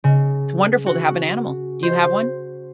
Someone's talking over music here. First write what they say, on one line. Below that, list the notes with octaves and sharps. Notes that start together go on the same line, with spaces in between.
it's wonderful to have an animal. Do you have one?
C#3
F#4
C5